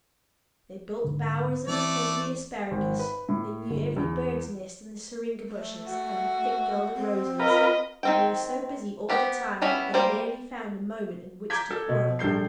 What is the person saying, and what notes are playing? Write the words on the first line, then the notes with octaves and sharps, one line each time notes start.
They built bowers in the feathery asparagus; they knew every bird's-nest in the syringa-bushes and the thick guelder-roses, and were so busy all the time that they rarely found a moment in which to quarrel.
G#2 D3
E3 A3 C4 E4 D5
G#1
B4
A2
G1
E2
A3
F#4
C4
F4 A#4 B4 D#5
D#3 C4 G5
B3 G4 C5
G3 B3 C#4 E4
G3 A#3 C5
A#5 D6 G6 G#6 B6
A4
B2
A#1 G3 A4 G6 C7